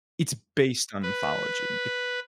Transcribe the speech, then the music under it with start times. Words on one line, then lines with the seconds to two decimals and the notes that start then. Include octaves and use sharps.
It's based on mythology, it's
1.03 B4